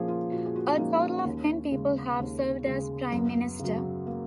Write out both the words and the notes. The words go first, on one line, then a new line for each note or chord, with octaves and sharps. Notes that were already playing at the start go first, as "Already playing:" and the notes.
A total of ten people have served as Prime Minister.
Already playing: A#2 F3 A#3 C#4 G#4 A#4
F4
A#2 F#4
G#4
F#4
C#4
F3 A#3 D#4
C#4
D#2
C#3 G#3
D#2
C#3 G#3
F#2 B3
C#3 F#3
A#3